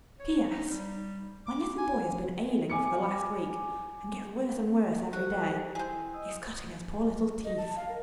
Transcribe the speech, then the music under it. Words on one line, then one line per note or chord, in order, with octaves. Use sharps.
P.S.--My little boy has been ailing for the last week, and gets worse and worse every day; he is cutting his poor little teeth.
C#5
D#4
G3
D6
G#5
G#5 D6 C#7
F#4 G4 A4 C5
C4 E4 G#4
D#5 D#6 E6
D#5
A5
F5
A#4